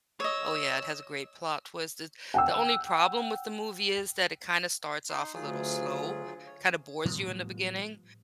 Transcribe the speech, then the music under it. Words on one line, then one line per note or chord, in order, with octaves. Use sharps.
Oh yeah, it has a great plot twist, it The only problem with the movie is that it kinda starts off a little slow, kinda bores you in the beginning,
C#5 D#5 E6
F#5 G5 E6
D#4 C6
D2 F#3 F4 G#4
C#5
A2 F3 G3 B3